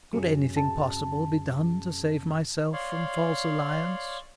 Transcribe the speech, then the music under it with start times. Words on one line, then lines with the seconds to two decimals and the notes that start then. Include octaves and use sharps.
Could anything possible be done to save myself from false alliance?
0.13 F#2 C3 F#3 C#4 G#4
0.56 A5
2.73 C#5 D5 F5 C6